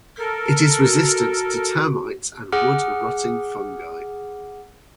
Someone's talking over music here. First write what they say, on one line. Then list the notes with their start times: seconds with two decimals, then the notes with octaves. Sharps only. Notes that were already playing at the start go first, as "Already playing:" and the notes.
It is resistant to termites and wood-rotting fungi.
0.19 A4 A#4
0.85 F#4
2.52 G#4 F#5 D6 F6